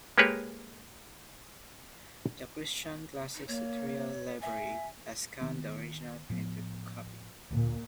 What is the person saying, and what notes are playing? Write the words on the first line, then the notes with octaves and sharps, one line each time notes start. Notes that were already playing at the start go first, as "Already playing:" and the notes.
The Christian Classics Ethereal Library has scanned the original printed copy.
G#3 A#3 G4 G#4 B4 C#5
D#4
A#3 C#5
E5 G#5
D#3 B3
A2 F3 B3
D2 A#2 D3 A#3